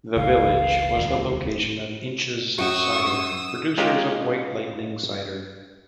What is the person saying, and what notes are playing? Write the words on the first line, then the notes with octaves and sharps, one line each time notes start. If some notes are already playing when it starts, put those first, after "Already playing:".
The village was the location of Inch's Cider, producers of White Lightning cider.
F#1 C#2 E3 F5
D#1 C#2 D#3
F#2 F#4 C#6 D#6 E6
G#3 C#4 D#4 F4 G4 A#4